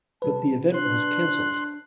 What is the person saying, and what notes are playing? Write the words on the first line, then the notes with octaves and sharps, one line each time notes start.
But the event was canceled.
C3 G3 B4 A5
D4 C6 F#6